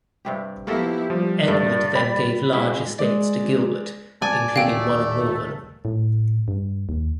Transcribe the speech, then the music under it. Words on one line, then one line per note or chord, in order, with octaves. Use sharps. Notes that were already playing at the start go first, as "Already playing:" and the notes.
Edward then gave large estates to Gilbert, including one in Malvern.
G2 C3 G4
F3 A#3 B3 E4 F#4 G4 A4
F3 G3
G2 A3 D5
G4 B5
C#3 F#3 G#3 C4 E4
G#3 D5
D5 G#5 A5
D#2 D#3 A3 F5 G5
A2
G2
D#2